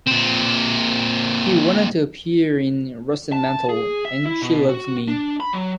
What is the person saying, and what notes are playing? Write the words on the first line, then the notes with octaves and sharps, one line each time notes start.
He went on to appear in "Russet Mantle" and "She Loves Me".
A#2 C4
A5
G#4
E5
E4
B2
F#4
D4
B5
F#3